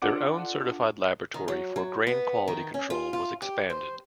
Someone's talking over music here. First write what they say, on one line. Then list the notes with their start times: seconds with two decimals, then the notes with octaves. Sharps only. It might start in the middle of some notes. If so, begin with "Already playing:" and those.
Their own certified laboratory for grain quality control was expanded.
0.02 D4 F4 A4 F#5 D6 D7
1.34 D#3
1.48 F#3
1.76 F#3
2.07 B3
2.48 D#3
2.74 C#4
2.90 F4
3.13 F4
3.42 G4
3.70 C5